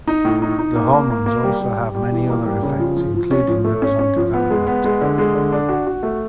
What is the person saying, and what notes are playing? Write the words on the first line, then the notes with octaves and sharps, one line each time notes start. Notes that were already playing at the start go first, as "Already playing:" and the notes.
The hormones also have many other effects including those on development.
D#4
A2
D#4
D#4
A#3
A#3
A#3
A#3
G3
G3
G3
G3
E3
A#3
G3
C#3
F3
F3
F3
C#4
F3
A3
C#4
C#4
F3
B3
G#3
B3
G#3
D3
G#3
D3
D4
F#4
F#4
A3